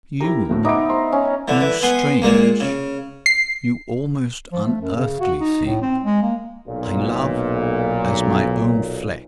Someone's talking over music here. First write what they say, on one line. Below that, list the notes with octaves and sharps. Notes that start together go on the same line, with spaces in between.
You--you strange, you almost unearthly thing!--I love as my own flesh.
E4 G4 A#4
D2 A2 A3
B3 D#4 E5 D6 D7
C5 D#5 C6
C#4
D3 E3
E3
B3 G#5 C6
A#2 G#3 A#3
C#3
C7
F3
A3
F#2
C#3
F#4
D#4
A2
C4
G#3
A#3
B1 A#2